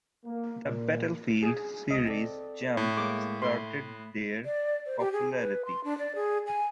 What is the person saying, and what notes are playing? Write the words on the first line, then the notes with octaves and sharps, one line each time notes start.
The "Battlefield" series jump-started their popularity.
A#3
A#2
G#4
C#2 D#5
C4 A4 D5
A2 C#5
G#3 A#3 D6
A3 B5 C6
D5
C5
G4
G#4
B4
C6
D4
D5
G#4
G#5